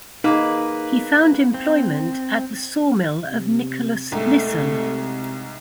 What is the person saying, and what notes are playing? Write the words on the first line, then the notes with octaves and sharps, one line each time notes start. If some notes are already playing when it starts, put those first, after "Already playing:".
He found employment at the sawmill of Nicholas Lisson.
A#3 D#4 G#4 B4
C4
C3
C2 G#2 A3
C3